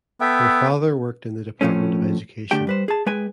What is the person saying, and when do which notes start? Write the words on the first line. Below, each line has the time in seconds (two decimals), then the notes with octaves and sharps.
Her father worked in the Department of Education.
0.21 B3 A4 E5 G5
1.61 F2 A2 F3 A3 C#4
2.51 D3 A3 D4 G4 G5
2.67 G3 B4 C5
2.88 G#4 A5
3.06 G#3 B4 G5 G#5